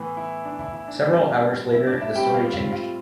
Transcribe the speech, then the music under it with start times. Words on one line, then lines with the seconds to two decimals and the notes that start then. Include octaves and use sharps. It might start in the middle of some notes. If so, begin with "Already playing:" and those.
Several hours later the story changed.
Already playing: A2 E3 B3
0.17 E4
0.45 D4
0.59 E4
0.73 E4
0.88 D4
1.02 A2 G3 C4
1.73 E4
1.87 D4 D5
2.01 E4 E5
2.15 A2 G3 C4 G4 G5
2.34 F4 F5
2.53 F4 F5
2.73 F4 F5